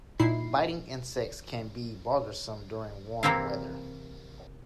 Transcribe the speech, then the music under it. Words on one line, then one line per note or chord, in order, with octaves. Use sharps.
Biting insects can be bothersome during warm weather.
A#2 D#4 E4 C7
C3 E3 A#3 C4 E4 F5